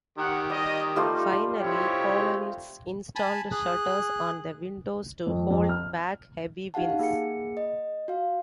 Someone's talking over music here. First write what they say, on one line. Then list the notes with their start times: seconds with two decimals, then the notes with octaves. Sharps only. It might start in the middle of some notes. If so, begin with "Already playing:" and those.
Finally, colonists installed shutters on the windows to hold back heavy winds.
0.18 D#3 G4 F#5
0.50 G3 D#5
0.96 G3 A3 D#4 F4
1.60 C4 D#4 E4 G4 C#5
3.16 G#5 A5 B5
3.52 G#4 F#6
5.27 F2
5.51 F2
5.69 F6
6.74 D#4 G4 F5 F#5 A5
6.99 A#3 G#4 F#5 C#7
7.57 D#5
8.08 F#4 F5